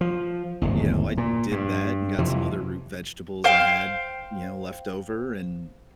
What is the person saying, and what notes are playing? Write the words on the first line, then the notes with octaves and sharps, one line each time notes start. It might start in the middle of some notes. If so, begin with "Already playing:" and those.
you know, I did that and got some other root vegetables I had, you know, leftover and
F3
D1 G#1 E2
A#2
G2
F2 C3 E3
C5 F5 G5